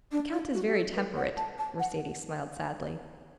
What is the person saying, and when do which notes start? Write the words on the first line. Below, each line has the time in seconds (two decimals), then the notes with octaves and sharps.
"The count is very temperate." Mercedes smiled sadly.
0.12 D4
0.32 E4
0.54 F#4
0.67 G4
0.74 A4
0.96 B4
1.16 F#5
1.37 A5
1.58 A5
1.79 F#5